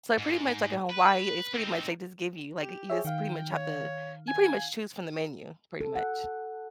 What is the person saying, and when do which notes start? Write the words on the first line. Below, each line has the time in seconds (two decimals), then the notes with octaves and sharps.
so they pretty much like, in Hawaii, it's pretty much they just give you, like, you just pretty much have the you pretty much choose from the menu, pretty much.
0.18 G#2
0.90 B4
1.54 C4 D#4
2.61 G4
2.90 G#4 C#5 E5
3.05 D#3 F5 G5
3.52 C#5
4.28 G#5
5.81 A4
5.96 F#5